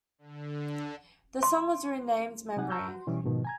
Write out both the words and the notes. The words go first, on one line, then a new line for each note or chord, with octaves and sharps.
The song was renamed "Memory".
D3
C6
C3 F#3 D#4 F#5 G#5
A5 A#5 C#6 E6 F6 G6
F#4
B2 E3 G3 B3 C#4
G#2 B2 D#3 F3
G#5 A#5 G#6